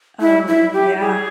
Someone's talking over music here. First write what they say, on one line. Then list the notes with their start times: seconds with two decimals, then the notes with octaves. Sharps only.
Oh, yeah.
0.20 E4
0.47 E4
0.73 G4
1.00 G#4